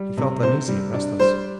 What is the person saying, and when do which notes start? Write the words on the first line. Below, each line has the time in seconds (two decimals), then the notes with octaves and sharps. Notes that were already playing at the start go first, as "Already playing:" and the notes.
He felt uneasy and restless.
Already playing: G3
0.17 C3
0.43 C3 C5
0.68 G3
0.94 D4
1.19 G3 C5